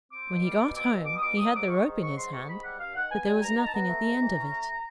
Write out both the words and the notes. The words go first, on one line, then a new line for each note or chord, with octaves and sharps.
When he got home he had the rope in his hand, but there was nothing at the end of it.
C4 D6
B2
G3
B2
C4 D6
B2
G3 D6
D#6
B2 D6
F#3 D#6
G#2 D6
D#3 C#6
G#2
F#3 C#6
G#2 C6
D#3 C#6
G#2 B5
G3 F#5
G2 F5
D#3 F#5
B3 G#5
G3 G#5
G2 A#5
D#3 A#5
A5
B3 A#5
A3
G#2
E3
C#4
A3